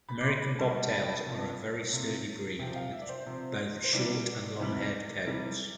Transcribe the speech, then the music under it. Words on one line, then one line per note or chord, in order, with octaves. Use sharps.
American Bobtails are a very sturdy breed, with both short- and long-haired coats.
B5
D6
C6
B5
B2 G3 A5
A5
B5
G5
A5
C3 F3
C3 F3
C3 F3 G5
G5
F5
E5
D5
C5
C3 F3
C5
C3 E3 G3 D5
C3 E3 G3
C3 E3 G3